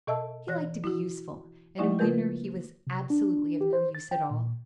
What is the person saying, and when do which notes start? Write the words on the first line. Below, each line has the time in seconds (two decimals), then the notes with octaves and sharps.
He liked to be useful, and in winter he was absolutely of no use at all.
0.07 B2 A4 D#5 E5 A5 E6
0.48 E3 C#5 F#6 A#6
0.84 E4 F#4
1.78 F3 G#3 A3 D#4 E4 D5
1.99 C#3 A#3 F4 A#4 B4 G6
2.87 C3
3.10 D4
3.61 G4
3.73 C5
3.95 A6
4.11 G5
4.31 A#2